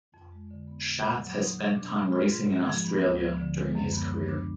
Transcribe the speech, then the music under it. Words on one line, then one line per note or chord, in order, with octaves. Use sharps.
Schatz has spent time racing in Australia during his career.
F2
G#3
D3
B3
A#2
A#3
F#3
D#4
B2
D4
G#3
F4
G#2
G#3
F3
B3
D2
F3
D3
G#3
F#2
B3
F3
D4